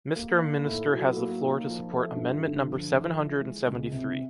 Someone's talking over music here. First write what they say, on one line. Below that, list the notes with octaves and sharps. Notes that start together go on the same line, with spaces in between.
Mister Minister has the floor to support amendment number seven hundred and seventy-three.
A#3
D#4
A2
F#3
A#3
D#4
F3
A3
G2
D3
F3
A3
E3
G#3
C#2
C3